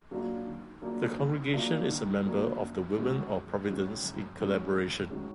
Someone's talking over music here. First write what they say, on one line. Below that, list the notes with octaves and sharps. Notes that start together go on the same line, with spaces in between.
The congregation is a member of the Women of Providence in Collaboration.
F#3 A#3 D4 F4
D#3
F#3 A#3 D4 F4
D#3
F#3 A#3 D4 F4
D#3
F#3 A#3 D4 F4
F#2
D#3 G#3 C#4 F#4
F#2
D#3 G#3 C#4 F#4
F#2
D#3 G#3 C#4 F#4
F#2
D#3 G#3 C#4 F#4